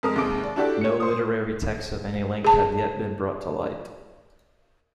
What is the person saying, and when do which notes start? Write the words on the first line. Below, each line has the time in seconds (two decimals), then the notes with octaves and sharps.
No literary texts of any length have yet been brought to light.
0.03 F2 G#3 A#4 A#5 D#6
0.16 D#2 C3 G#3 D6 D7
0.44 D5
0.56 D4 E4 F#4 G4 A4 D5
0.81 C#5 C#7
1.00 C5 D#6
2.44 G#4 A5